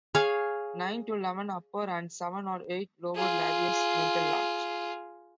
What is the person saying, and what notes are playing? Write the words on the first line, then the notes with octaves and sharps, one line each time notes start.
Nine to eleven upper and seven or eight lower labials; mental large.
G#4 C#5 F5
F4 G#4